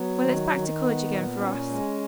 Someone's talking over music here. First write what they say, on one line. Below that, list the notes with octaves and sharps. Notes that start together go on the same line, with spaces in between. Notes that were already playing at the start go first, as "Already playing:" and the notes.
Well, it's back to college again for us.
Already playing: F#3 B3
D#3
D#3
B3
A#2
C#4
G#3